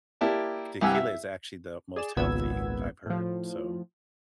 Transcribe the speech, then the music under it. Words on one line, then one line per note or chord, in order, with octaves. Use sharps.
tequila is actually the most healthy, I've heard. So,
A#3 E4 G4 D5 A5
C2 G2 G4 F#5 G#5 E6
E5
G#4 D5 E7
G#1 C#2 A#2 B3 E6 G#6
A2 F3